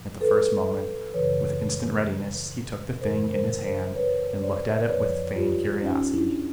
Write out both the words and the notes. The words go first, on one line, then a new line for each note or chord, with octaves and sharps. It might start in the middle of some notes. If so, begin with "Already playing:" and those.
At the first moment, with instant readiness, he took the thing in his hand, and looked at it with feigned curiosity.
Already playing: A2 F3
A4 B4
F#2 C#3 E3 B4 C#5
F#2 C#3 E3 A#4 C5
A#4 C5
A#4 C5
B4 C#5
C5 D5
D5
F2 D3 F3 B4 C#5
F4 G4
C#4 D#4
D4 E4